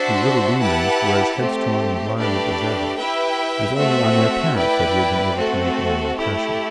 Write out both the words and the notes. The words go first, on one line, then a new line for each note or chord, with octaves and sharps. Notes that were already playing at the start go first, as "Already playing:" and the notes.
The "little demons" were as headstrong and violent as ever; it was only on their parents that he had been able to make any impression.
Already playing: D4 F#4 C5 E5 A5
E4 G4 B4 F#5 A5
A3 C4 G4
A3 D4 G4 B4 D5
E4 G4 B4 E5 G5
A3 C4 F#4 C5 E5
E4 B4 D5 G5
A3 C4 F#4 A4
A3 E4 G4